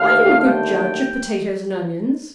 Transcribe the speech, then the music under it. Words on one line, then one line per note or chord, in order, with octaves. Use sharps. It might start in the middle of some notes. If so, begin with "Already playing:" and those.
Are you a good judge of potatoes and onions?
Already playing: D#2 D3 A3 F5
G5